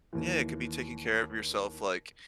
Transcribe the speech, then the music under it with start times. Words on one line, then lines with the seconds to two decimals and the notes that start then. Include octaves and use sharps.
Yeah, it could be taking care of yourself like,
0.13 D#2 E3